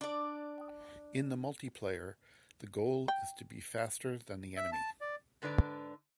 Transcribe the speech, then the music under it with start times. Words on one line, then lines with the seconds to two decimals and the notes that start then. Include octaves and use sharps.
In the multiplayer, the goal is to be faster than the enemy.
0.01 D4 D5
3.08 G5
4.57 E5
4.72 A5
5.01 D5
5.42 G#2 D3 D4 B4 D5